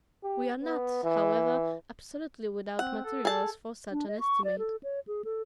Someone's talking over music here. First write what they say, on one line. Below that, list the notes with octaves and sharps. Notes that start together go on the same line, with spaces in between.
We are not however absolutely without materials for such an estimate.
G4
B3
E3
C4 F#5
A4
G#4 A5
D4
D#5
C#6
D5
A4
C#5
G#4
A4